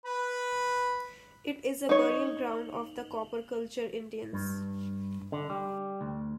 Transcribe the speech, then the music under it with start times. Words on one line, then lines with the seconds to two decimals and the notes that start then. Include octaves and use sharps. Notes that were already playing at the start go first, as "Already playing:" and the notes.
It is a burial ground of the Copper Culture Indians.
0.06 B4 B5
1.89 D#4 C#5
4.33 G2
5.32 D3
5.50 G3
6.01 D2